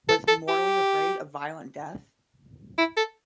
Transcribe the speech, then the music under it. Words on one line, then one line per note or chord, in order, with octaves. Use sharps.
Was he mortally afraid of violent death?
A4
A4
G4
E4
A4